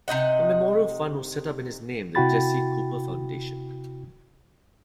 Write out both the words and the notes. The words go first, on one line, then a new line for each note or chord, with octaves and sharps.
A memorial fund was set up in his name, the Jesse Cooper Foundation.
C3 D#4 D#5 F#5
C3 E4 F#4 G5 B5 A6